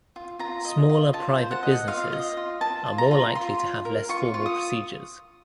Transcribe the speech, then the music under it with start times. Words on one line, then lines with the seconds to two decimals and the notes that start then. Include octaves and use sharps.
Smaller private businesses are more likely to have less formal procedures.
0.16 F4
0.39 F4 A#5
0.65 D#5
0.89 F4
1.13 F4 A5
1.38 C5
1.51 F#5
1.63 D#5
1.88 F4 F5
2.12 D#5
2.37 F4
2.61 F4 A5
2.86 F4
2.98 A#5
3.11 F4
3.35 F4 C6
3.60 F4
3.85 A#4
4.09 F4 C#6
4.34 F4
4.46 D#6